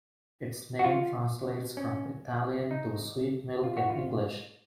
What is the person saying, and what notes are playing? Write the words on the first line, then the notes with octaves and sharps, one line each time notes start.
Its name translates from Italian to 'sweet milk' in English.
F#4
F4
C#4
D#4
F4
F#4
F4